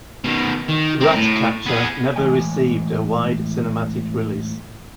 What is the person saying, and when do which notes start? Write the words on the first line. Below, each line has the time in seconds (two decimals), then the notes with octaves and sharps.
"Ratcatcher" never received a wide cinematic release.
0.24 B2 D#3
0.68 D#3
1.00 C4 A#4
1.15 A2
1.66 B3 G#4
2.16 A2 E3 G#3 D#5 G5 G#5